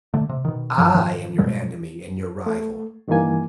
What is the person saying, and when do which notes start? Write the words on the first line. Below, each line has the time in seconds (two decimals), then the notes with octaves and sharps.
I am your enemy and your rival.
0.14 D3 A3
0.29 C3
0.45 B2 D#3
0.78 F1 G2 F3
0.95 G#2 D#3 F3
1.38 F2 B2 G3 G#3
2.46 A3
3.08 G2 D#3 E3 G3 A#3 G#5